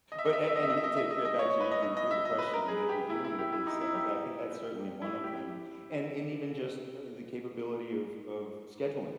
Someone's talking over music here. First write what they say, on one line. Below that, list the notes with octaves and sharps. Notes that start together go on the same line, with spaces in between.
But a anyway, to get back to you, to the q the question that we're dealing with is, uh, I think that's certainly one of them, and and even just, uh, the capability of of scheduling,
D#5
E5
D#5
E5
D#5
E5
D#5
E5
D#5
E5
D#5
E5
D#5
D#5
C#5
C#5
B4
D#5
D#5
D#5
E5
D#5
B4
A#4
G#4
G4
E4
E4
G4
E4
D#4
E4
G4
G4
E4
G4
E4